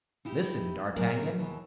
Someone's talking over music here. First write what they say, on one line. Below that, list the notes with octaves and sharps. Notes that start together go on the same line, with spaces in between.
Listen, D'Artagnan.
D#4 E4 G4
A2 F#3 A#3 G#4 A#4 C5
D#2 B2 E3